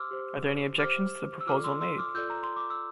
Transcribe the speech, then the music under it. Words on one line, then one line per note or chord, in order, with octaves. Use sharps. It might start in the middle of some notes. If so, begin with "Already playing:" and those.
Are there any objections to the proposal made?
Already playing: G4 C5 C6 D6 E6 F6
G4 C5
G4 C5 D6 F6
E6
F4 A4 D5 D6 F6
C6 E6
C6 E6
D6 F6
F4 A4 D5 E6 G6
A#5
C6
D6
E6